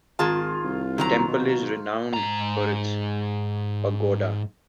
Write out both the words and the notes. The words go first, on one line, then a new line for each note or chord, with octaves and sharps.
The temple is renowned for its pagoda.
G#1 D#3 F4 G#4 A5
C2
D#3 F#3 A#5
B2
G#2 A#5